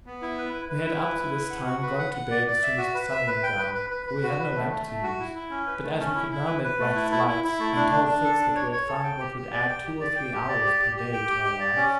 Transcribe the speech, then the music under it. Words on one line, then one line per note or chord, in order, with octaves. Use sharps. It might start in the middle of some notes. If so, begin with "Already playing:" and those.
We had up to this time gone to bed as soon as the sun went down, for we had no lamp to use; but as we could now make wax lights, I told Fritz that we had found what would add two or three hours per day to our lives.
B3
E4
B4
B4
B4
E4
B4
E4
B4
F#5
F#4
B4
F#5
F#5
D5
D5
E5
F#4
B4
E5
B4
G5
B4
B4
B4
B4
F#4
B4
A3
A3
A3
F#4
E4
E4
C#4
B4
A3
C#4
E4
E4
B4
B4
A3
E4
E4
E4
E4
A3
D4
D4
D4
A4
D4
C#5
C#5
A4
G5
G4
G4
D5
G5
G4
D5
G5
G4
D5
G4
G4
G4
G5
G4
G4
D5
C#4